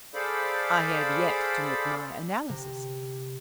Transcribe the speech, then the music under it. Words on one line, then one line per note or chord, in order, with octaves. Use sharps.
"I have yet to make my analysis."
G#4 A4 C5 D5 F5 B5
C3